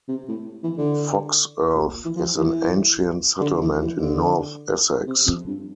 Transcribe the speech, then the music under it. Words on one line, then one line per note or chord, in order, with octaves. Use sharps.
Foxearth is an ancient settlement in north Essex.
C3
A2
E3
D3
A#2
E3
F3
E3
D3
E3
E3
D3
C3
F2
G2